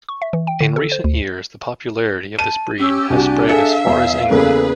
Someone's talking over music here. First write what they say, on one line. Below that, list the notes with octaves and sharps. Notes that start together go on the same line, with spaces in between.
In recent years the popularity of this breed has spread as far as England.
C#6
E5
E3
G5
D3
A4
C5
D2
A5 D#7
C#4 G4 E6
C2 D4 F#4 G#5
G#4 A4 E5 F5 C#7
E2
E2 C#3 A#3 G#4 A4 B4